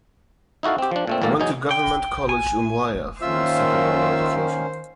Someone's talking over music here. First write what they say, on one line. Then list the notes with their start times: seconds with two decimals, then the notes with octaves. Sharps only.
He went to Government College Umuahia for his secondary education.
0.63 D#4 E4 F#4 A4 F5
0.78 C4 G4
0.91 F3 D4
1.07 A#2 A3 C4
1.22 G#1 F2 A#2 A#3 A4 A5
1.40 E2 F#3 D#4 G#5
1.71 G5
2.29 G#5
3.22 D#3 A#3 C#4 F4 C5 E5 E6